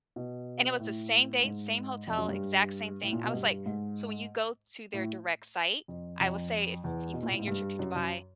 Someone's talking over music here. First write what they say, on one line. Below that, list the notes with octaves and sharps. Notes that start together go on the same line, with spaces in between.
And it was the same dates, same hotel, exact same thing. I was like so when you go to their direct site, I will say if you plan your trip to Dubai,
B2
A2
G#2
F2
F#2
G2
A2
A#2
B2
G2
G#2
A2
F2
F2
E2
B2
A#2
A2
G#2
G2
F#2
F#2